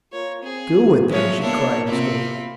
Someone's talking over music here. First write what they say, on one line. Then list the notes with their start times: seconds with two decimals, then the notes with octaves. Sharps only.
"Do with them!" she cried in scorn.
0.12 A#3 F4 A#4 C#5
0.43 C4 G#4
1.09 F3 F#3 G#3 C#5 E5
1.41 A#3 B3 D4 E4 C#5
1.87 C3 C4 F4 B5